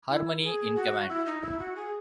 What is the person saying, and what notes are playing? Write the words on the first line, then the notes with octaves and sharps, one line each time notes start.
Harmony in command.
E4
G#4
F#4
E4
D#4
E4
F#4
G#4